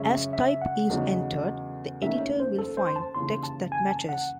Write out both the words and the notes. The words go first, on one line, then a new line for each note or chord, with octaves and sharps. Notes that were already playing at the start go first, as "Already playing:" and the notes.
As type is entered the editor will find text that matches.
Already playing: F#2 C#3 G#3 C#4 E5
E5
F#5
E2 C#3 F#3 A3 D#4
D#2 D#3 A3 C#4 E4 E5
C#5
C5
A4
C5
C6
A5
D#2 C#3 E3 C6
A5
G#5
A5
F#5